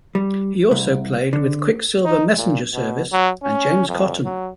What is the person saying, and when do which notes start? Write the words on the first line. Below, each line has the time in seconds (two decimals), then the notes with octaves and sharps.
He also played with Quicksilver Messenger Service and James Cotton.
0.15 G3
0.71 C2
1.33 D3
2.05 D#4
2.37 A#2
2.73 B2
3.12 F#3
3.43 C#4
3.88 F2
4.25 F#3